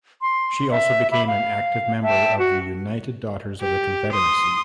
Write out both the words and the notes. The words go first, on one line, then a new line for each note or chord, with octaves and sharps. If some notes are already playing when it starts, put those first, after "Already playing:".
She also became an active member of the United Daughters of the Confederacy.
C6
E5
E5 B5 D6
F5
E5 G5 A5
F#4
G4
C6 D#6